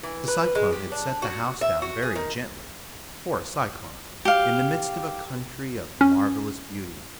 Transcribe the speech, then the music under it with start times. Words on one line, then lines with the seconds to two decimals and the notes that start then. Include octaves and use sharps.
The cyclone had set the house down very gently--for a cyclone--in the midst of a country of marvelous beauty.
0.03 E3
0.28 B4
0.55 G#3
0.72 G4
0.92 D4
1.22 F#4
1.61 E5
1.82 F#4
2.02 G#4
2.15 D#3
4.25 G4 F5
6.01 C#4